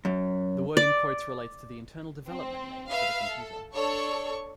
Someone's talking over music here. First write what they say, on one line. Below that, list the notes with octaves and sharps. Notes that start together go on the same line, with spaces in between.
The word in quotes relates to the internal development name for the computer.
F#2
D5
C4
B4 E5 F5
A4
D4 A4 C#5 D5 C#6